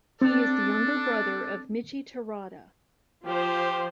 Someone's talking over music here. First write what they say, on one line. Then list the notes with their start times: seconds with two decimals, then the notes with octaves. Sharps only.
He is the younger brother of Michie Terada.
0.22 C4 D4 A4 D5
3.26 F3 G4 C5